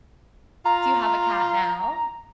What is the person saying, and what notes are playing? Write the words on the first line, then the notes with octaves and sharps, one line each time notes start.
do you have a cat now?
F4 A#5